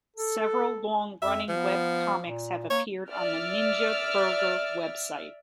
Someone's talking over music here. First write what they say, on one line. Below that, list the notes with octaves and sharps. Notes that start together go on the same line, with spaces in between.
Several long running web comics have appeared on the Ninja Burger website.
A4
F2 E5
F3 B3
A#2
A#3 C#5
D5 E5 F6